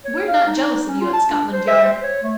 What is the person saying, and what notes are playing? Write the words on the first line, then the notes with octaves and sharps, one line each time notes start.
We're not jealous of you at Scotland Yard.
C#5
F5
D#4
C#4
F4
A5
D4
C5
E5
C5
C#5
A3